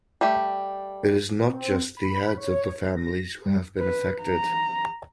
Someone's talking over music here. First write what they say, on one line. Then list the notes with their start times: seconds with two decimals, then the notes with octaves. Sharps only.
It is not just the heads of the families who have been affected.
0.21 G3 A3 G4
1.50 C4
1.97 B5
2.37 C#5
2.97 A#6
3.45 G3
3.79 B4
4.22 A#5